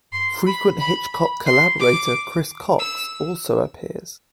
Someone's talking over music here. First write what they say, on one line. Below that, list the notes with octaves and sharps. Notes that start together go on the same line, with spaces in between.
Frequent Hitchcock collaborator Chris Cox also appears.
C6
B5
B5
B5
C6
D6
E6